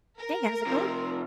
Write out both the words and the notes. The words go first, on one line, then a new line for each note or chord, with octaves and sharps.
Hey, how's it going?
A#4
C3 F3